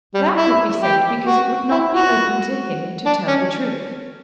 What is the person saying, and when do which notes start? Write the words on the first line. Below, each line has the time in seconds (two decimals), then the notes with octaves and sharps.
That would be said because it would not be open to him to tell the truth.
0.14 G3
0.36 E4
0.82 G4
1.26 F#4
1.71 E4
1.93 F#4
3.05 D4
3.27 C#4